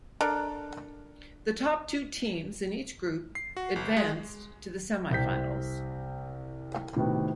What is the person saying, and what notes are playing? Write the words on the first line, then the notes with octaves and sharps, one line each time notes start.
The top two teams in each group advanced to the semi finals.
D4 A4 A#4
C7
F#4
G1
G#3
C2 C3 G6 B6
A2 C3 D#3 B3 F#4